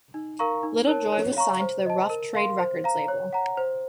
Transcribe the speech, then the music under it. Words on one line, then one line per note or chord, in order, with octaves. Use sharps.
Little Joy was signed to Rough Trade Records label.
D#4
A#4 F5 A#5 C#6
D#4
A#4 C#5 A5
C#5
F5 A#5 C#6
C5
D#5 A5
A#4
F5 C6
C5
F5 A#5
C#5
F#5 A#5
C5